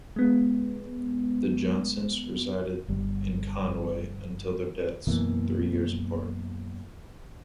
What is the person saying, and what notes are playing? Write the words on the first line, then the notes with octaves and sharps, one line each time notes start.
The Johnsons resided in Conway until their deaths, three years apart.
G#3 B3
G1 G3
F#2 B2 E3 A#3